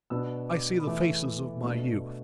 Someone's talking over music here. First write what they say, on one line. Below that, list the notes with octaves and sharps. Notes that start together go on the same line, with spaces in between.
I see the faces of my youth.
B2 B3 D4 E6
D6
B5
E2 E3 A3 E4 D6
B2 A3 D4